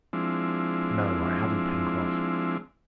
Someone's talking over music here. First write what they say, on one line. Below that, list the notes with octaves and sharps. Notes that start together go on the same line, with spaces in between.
"No, I haven't, Pencroft."
F3 G#3 C4 D4 E4